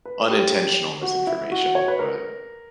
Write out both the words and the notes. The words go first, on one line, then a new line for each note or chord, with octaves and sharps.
unintentional misinformation, but
B4
G4
F#4
E4
F#4
C#5
B4
A#4